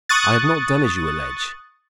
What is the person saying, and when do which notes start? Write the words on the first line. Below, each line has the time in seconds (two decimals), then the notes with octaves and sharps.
I have not done as you allege.
0.09 C#6 D#6 F#6 A6